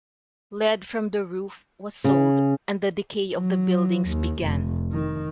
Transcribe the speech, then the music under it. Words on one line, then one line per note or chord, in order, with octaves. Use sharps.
Lead from the roof was sold and the decay of the buildings began.
C#3
F#3
D#2
F1
D#3